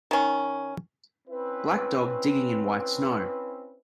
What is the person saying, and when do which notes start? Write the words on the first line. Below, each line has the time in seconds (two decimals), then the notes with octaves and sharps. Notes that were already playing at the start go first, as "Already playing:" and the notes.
Black dog digging in white snow.
0.11 D#3 C#4
1.28 C4 C#4 E4 B4